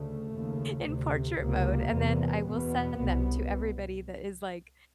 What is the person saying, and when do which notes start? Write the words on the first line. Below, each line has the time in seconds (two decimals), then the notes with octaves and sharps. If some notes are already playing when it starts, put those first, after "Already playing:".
in portrait mode, and then I will send them to everybody that is, like,
Already playing: D2 C#3 A3
0.34 D#2 C#3
0.87 D2 C3
1.41 C#2 C3 A#3
1.94 E2 C3
2.47 E2 B2 B3
3.00 C2 B2